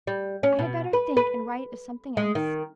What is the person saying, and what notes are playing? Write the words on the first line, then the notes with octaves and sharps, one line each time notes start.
I had better think and write of something else.
G3
C#4
B2
B4
B4
G#3
D#3